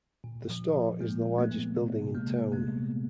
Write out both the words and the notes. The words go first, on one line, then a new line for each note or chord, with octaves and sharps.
The store is the largest building in town.
A#2
F3
F3
A#2 G#3 A#3
A#2
A3 B3
A#2
C3
C3
G#3 A#3
C3
C3 A3 B3
C3